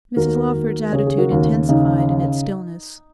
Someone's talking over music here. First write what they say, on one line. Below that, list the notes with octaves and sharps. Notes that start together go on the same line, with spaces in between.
Mrs Lawford's attitude intensified in its stillness.
D#2 F#4 A#4
D#2
C#3 G#4 C#5
G#4
F#4 A#4
D#2
C#3 D#4